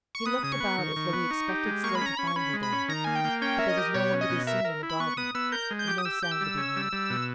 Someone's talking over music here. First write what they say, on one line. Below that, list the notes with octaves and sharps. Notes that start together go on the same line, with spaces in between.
He looked about as though he expected still to find her there; but there was no one to be seen in the garden, and no sound to be heard.
C#6
B3 D#6
C#3 D#6
C#6
B3
D#3
D#3
B3
D#4
G4
G#3
A#3 C#6
B5
C#4 A#5
C#4 B5
C#6
C#4 B5
G#3
B5
C#4
D#3 A#5
A#3 G#5
G5
A#3
C#4 G5
A#4 E5
D#5
G4
B2 C#5
C#4
D#5
B2
A#4 E5
A#4
E4
B5
B3 C#6
B3 D#6
B3 E6
A#4 G6
G#3
G6
G4
D#6
G4 E6
G4 G6
E6
G3
C#4
G3
G3
B2